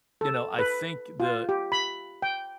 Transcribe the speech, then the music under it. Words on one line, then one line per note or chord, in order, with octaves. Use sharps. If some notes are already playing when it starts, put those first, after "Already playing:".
you know, I think the
A4
B4
F4
G4
B5
G5